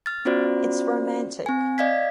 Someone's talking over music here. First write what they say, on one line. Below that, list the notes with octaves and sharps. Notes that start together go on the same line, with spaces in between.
It’s romantic.
F6 A6
B3 C#4 F4 F#4 C5 D5
C4 G#5
D5 D#5 F5 G#6 B6